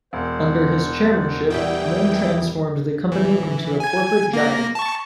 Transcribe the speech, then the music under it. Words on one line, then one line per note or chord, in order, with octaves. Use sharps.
Under his chairmanship, Lim transformed the company into a corporate giant.
E1 C5 F#5
E3 G3 E4 F#4 G5 D#6
E3
G#5 G#6
A#3 A#6
A5 C#6